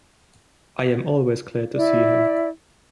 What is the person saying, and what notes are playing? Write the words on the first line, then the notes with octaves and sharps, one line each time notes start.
I am always glad to see him.
E4 D5